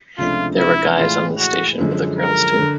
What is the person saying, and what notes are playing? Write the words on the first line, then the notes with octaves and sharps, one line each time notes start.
There were guys on "the station with the girls", too.
C#2 C3 F3 A3 D4 F4
E4
A2 E3 G#3 F4
F#4
F#2 D3 F3 G#3
A#4
D3